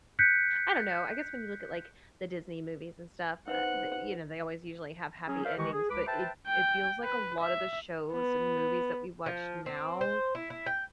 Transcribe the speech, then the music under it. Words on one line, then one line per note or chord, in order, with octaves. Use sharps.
I don't know, I guess when you look at, like, the Disney movies and stuff, uh, the you know, they always usually have happy endings, but it it feels like a lotta the shows and movies that we watch now,
F#6 G6 B6 C#7
D#4 B4 C5 F#5
F#3 C#4 G#4
A#4 C5 D5 E5 F5
D#3 E3 G#3 G4 D#5 C#6
G#4
C#2 B4 B5 D6
B4 C5 E5 G5 A5
G5
B4
E5
B3
F3
C4
C5
E4
E4
G5